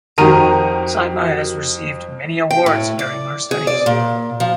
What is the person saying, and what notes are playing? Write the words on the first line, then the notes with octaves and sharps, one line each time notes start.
Saima has received many awards during her studies.
F2 D#3 F#4 G4 A#4 A#5 D#7
G5
A2
D5
G#4
D5
A#2
F3